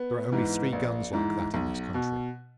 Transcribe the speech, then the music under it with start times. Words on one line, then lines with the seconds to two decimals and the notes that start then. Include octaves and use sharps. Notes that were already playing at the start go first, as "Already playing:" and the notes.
There are only three guns like that in this country.
Already playing: B3
0.32 G#2 E3
0.72 A#1
1.13 G#2 E3
1.54 B1
1.94 B2